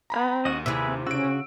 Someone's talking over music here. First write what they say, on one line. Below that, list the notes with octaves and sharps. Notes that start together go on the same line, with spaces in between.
Um, yeah,
A#5 B5
D#2 F#4 D#5 D#7
C3 E4 G#4 B4 E5
C#3 F#4 E6 D7